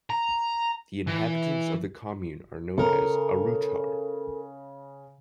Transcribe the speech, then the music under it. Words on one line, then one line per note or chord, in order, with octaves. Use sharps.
The inhabitants of the commune are known as "Arruetar".
A#5
E3
C#3 A4 A#4